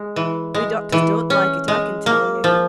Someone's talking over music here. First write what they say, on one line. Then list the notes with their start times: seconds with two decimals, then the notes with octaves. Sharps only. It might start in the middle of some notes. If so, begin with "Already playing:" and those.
We doctors don't like it, I can tell you!'
Already playing: G#3
0.16 E3
0.54 G#3
0.92 E3
1.30 C#4
1.68 G#3
2.06 A#3
2.44 F3